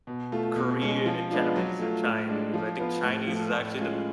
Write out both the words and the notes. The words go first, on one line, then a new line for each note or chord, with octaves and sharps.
Korean and Japanese and Chinese, I think Chinese is actually the
B2
A3 F4
B2
G#3 C#4
F3
G#3 B3 D4 F4
F#3
A3 F4
A2
G#3 D4
F3
B3 F4
A2
F3
A3
A2
G#3 C#4 F4